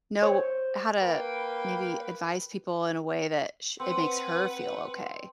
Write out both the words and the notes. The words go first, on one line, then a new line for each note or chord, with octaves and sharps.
know how to, maybe, advise people in a way that sh it makes her feel okay.
C5 C#5
A#3 A#4 B4 G5
C4 B4 F#5